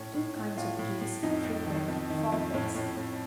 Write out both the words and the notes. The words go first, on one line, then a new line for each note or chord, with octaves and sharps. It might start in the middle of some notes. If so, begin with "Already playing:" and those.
Two kinds of geese frequent the Falklands.
Already playing: A2 C#4
A2
A2
A2 F4
A2
A2
F2 D#4
F2
D#3
F2
D#3
F2
A2 C#4
A2
A2